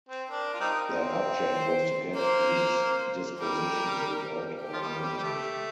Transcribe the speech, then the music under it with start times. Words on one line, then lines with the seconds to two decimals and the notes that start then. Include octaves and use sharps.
Their object was to get these dispositions without our knowing it.
0.09 C4
0.29 D4 A#4
0.54 F4
0.60 G3 C4 D#4
0.92 C4
1.52 C5
2.14 A#3 C5
3.38 G3 A#4
4.61 G4
4.73 F3
4.82 G3
5.02 G3
5.18 G3
5.23 A3